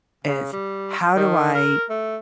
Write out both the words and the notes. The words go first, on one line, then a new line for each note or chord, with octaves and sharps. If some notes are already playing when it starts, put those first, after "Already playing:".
is how do I
C#3
G3
D#3
A#4
A3